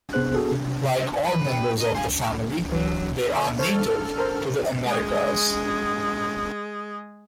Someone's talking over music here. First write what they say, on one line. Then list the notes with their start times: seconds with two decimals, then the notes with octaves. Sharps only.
Like all members of the family, they are native to the Americas.
0.13 C3 B3 G#4 C5 F#6
0.34 B3 F#4 G#4 A4
0.52 C3
1.25 B4
1.50 G5
1.81 A#4 D#5
1.95 C5 F5 G#5
2.72 E3 F#3
3.33 D3 F#3 E5
3.59 A4 C5 C#5 F6
4.18 A#4 C5
4.83 G#3 G#4